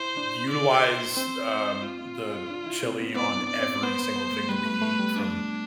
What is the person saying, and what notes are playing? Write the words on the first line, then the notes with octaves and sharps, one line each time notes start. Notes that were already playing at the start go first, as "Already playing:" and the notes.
utilize, um, the chili on every single thing that we eat from,
Already playing: E4 C5
D4
D5
C5
C4 C5
F4
D4
E4
C4
B3
B3 D5
D4
D5
C4
B3 C5
B3
B3
A3
G3 B4
A3
A3
G3
D4